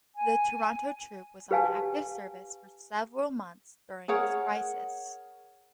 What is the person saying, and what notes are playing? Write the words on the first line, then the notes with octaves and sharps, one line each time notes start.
The Toronto troop was on active service for several months during this crisis.
G#5
G4 B4 F5 G#5 A5
G#4 A#4 C#5 F#5